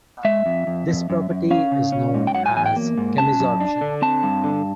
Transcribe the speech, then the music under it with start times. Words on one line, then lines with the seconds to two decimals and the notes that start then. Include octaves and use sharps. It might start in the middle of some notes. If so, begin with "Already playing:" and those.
This property is known as chemisorption.
0.25 G#3 E5
0.46 F2
0.67 F2
0.88 F2
1.10 F#2
1.30 F#2
1.51 C#4 F5
1.72 C#3
1.92 C#4
2.14 G#2
2.27 G5
2.35 F#3 F#5
2.46 G#5
2.56 E2 G#5
2.66 G5
2.76 A#3
2.98 G#2
3.18 C#4 A5
3.39 F#2
3.60 D4
3.81 D3
4.02 C4 A5
4.23 G2
4.44 D3